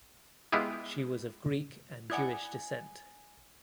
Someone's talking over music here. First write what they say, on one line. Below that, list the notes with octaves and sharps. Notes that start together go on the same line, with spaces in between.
She was of Greek and Jewish descent.
G#3 B3 E4 F4 G4 G#4
E4 D5 F#5 G#5 D#6 G#6